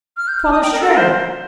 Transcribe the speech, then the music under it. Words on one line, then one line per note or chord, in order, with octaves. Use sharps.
Father's tread!'
F6
G6
D#6
G5
A#4
A4
A#4
C5